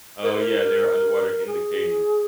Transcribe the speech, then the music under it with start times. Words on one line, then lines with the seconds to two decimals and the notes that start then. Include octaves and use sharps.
Oh, yeah. They were underwater in the cave.
0.23 A#4
0.31 C5
0.38 A#4
1.46 G#4